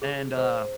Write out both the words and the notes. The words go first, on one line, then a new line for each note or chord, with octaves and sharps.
And, uh,
G#4
C5